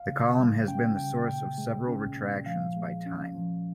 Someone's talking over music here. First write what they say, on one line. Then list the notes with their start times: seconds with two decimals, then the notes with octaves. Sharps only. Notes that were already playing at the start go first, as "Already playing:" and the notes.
The column has been the source of several retractions by "Time".
Already playing: F5
0.08 C#3
0.39 G3
0.68 C#4 G5
0.97 C#3 G5
1.27 A#2 G5
1.58 G#3
1.87 C#4
2.16 A#2
2.46 F3 F5
2.76 G#3
3.06 C#4
3.35 F3